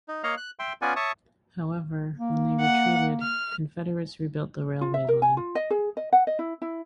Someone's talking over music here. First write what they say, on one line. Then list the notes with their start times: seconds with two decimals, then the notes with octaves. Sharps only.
However, when they retreated, Confederates rebuilt the railway line.
0.08 D#4
0.24 A#3 C#5 D#5 F5 A#5
0.37 F#6
0.59 E5 G5 C6
0.82 B3 C#4 F4 D5 F#5 G#5
0.96 C#5 E5 A5 C#6 D#6
2.17 A#3
2.60 F#5
3.21 F6
4.81 F4
4.94 E5
5.08 A#4
5.22 G#5
5.37 F4
5.55 D#5
5.70 G#4
5.97 D#5
6.13 F#5
6.27 D#5
6.39 E4
6.62 E4